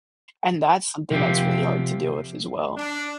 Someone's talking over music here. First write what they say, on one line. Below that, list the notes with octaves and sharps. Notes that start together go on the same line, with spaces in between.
and that's something that's really hard to deal with as well.
C3 F3 F#3 C4 F4 G4
D4